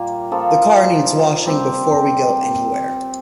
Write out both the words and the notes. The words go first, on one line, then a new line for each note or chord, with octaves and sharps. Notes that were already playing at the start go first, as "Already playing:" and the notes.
The car needs washing before we go anywhere.
Already playing: A#2 G3 A#3
F3 A#3 F4 A4
G3 C4 G4